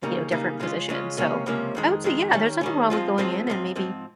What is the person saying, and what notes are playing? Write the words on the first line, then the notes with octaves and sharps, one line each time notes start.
you know, different position, so, I would say, yeah, there's nothing wrong with going in and maybe
C#3 G3 A#3 D#4
C#3 G3 A#3 D#4
C#3 G#3 C#4 F4
C#3 G#3 C#4 F4
C#2 C3 F3 A#3 C#4
C#2 C3 F3 A#3 C#4
F2 D#3 G#3
F2 D#3 G#3
D#3 G3 C#4
D#3 G3 C#4
F3 G#3 C4 F4
F3 G#3 C4 F4
G#2 F3 C4
G#2 F3 C4